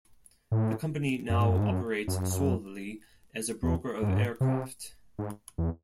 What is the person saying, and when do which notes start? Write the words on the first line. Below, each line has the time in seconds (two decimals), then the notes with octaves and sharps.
The company now operates solely as a broker of aircraft.
0.52 A2
1.29 F#2
1.40 G#2
1.49 F#2
1.60 G#2
1.70 F#2
2.08 F#2
3.63 E2
4.02 G#2
4.09 F#2
4.17 G#2
4.41 C3
5.19 G#2
5.58 E2